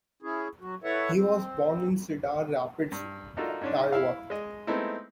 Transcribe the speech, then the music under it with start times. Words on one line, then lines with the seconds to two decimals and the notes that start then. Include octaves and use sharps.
He was born in Cedar Rapids, Iowa.
0.22 C#4 E4 G#4
0.61 F#3 F#4
0.84 E4 A4 B4 C#5 E5 F#5
1.13 C4
2.92 G2
3.37 D4 D#4 F4 F#4 A4 A#4
3.61 G#2 C#4 D4
3.92 E4 E5 F5
4.30 G#3 D#5
4.67 G#3 A3 B3 C4 D#4 E4